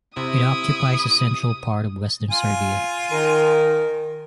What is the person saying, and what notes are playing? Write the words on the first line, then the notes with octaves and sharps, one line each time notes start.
It occupies the central part of western Serbia.
C3 E4 D#6
F4 G#5
D#3 A#4